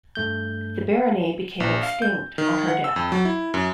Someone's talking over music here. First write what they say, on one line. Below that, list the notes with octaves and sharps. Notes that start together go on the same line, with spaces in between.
The barony became extinct on her death.
G2 A3 G6
A#1
F5
G6
D#3
F#5
E6
F2
F#3
E4
F#2